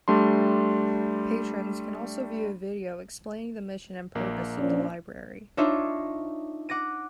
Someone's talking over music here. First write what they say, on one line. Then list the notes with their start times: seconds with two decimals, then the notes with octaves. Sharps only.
Patrons can also view a video explaining the mission and purpose of the Library.
0.08 G3 A3 D4 C6
4.15 A#1 A#3
4.59 F3 C#4 D4
5.57 D4 D#4 F4 C#5 D#5 E5
6.69 F#5 D6 A#6 D#7